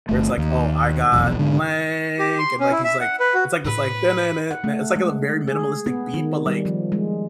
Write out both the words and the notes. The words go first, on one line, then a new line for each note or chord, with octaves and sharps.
where it's like, "Oh, I got blank" and like he's like, it's like this like it's like a very minimalistic beat but like
G1 A3
D#2
F1 B1 E2 B2
G#2 D3
G4
C6
C#4
E4
E5
F#5
B4
F#4
A2 A3 B4
F#5
A3
G#3
G#4
B3
D#3
G3
F3
G#3